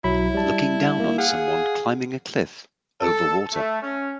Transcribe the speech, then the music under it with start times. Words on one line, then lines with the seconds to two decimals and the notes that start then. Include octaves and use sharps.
Looking down on someone climbing a cliff over water.
0.04 B1 F#3 E4 B5
0.35 G3 A5
1.00 A#3
1.18 G#4 F5 F#5
3.01 A4
3.53 A3
3.82 C#4